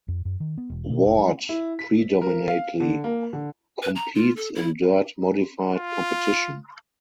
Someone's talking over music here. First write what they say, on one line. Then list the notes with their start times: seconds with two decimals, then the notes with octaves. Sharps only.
Ward predominately competes in dirt modified competition.
0.08 F2
0.25 F#2
0.40 D#3
0.58 B3
0.70 E1
0.90 B2
1.04 F1
1.19 G3
1.49 E4
1.79 B6
2.22 A#4
2.48 F5
2.80 D3
3.04 A#3
3.33 D3
3.82 B4
3.96 A#5
4.15 F4
4.37 A4
4.55 E4
5.77 F4